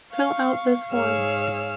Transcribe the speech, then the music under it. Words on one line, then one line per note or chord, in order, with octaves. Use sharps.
Fill out this form.
F5 C#6
G#2 G#4 C#5 F5 E6 F6